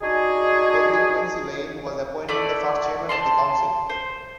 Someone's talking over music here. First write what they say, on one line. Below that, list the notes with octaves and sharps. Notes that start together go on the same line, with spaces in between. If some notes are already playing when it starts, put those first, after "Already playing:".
Frederick Quincey Lane was appointed the first chairman of the council.
D4 D#4 F#4 G#4
A3 E4 D5
C5 D5 A5 C6
C5